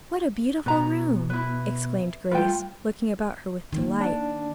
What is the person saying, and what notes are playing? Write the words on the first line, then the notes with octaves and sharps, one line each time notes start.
"What a beautiful room!" exclaimed Grace, looking about her with delight.
B2 B4 A#5
E4 B4
G3 A3 F4 B4 G5
D#3 A#3
D4